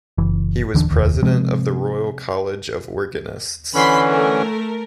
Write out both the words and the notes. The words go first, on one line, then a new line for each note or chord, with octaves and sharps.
He was president of the Royal College of Organists.
F#1 E3
D#1 D3 E3 D4
F1 D#2
C3 F3 G#3 C4
D3 E3 C#4 B5 C6 B6
A3 A#4